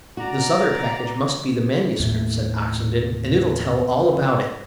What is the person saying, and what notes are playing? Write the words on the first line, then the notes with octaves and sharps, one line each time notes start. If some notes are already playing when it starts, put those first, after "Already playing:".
"This other package must be the manuscript," said Oxenden, "and it'll tell all about it."
F#4 D5 A#5
D#2 A2 A3